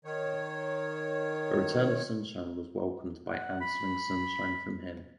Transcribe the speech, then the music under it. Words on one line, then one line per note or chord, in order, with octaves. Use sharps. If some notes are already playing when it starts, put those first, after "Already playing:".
The return of sunshine was welcomed by answering sunshine from him.
D#3 C#5
F#5
B5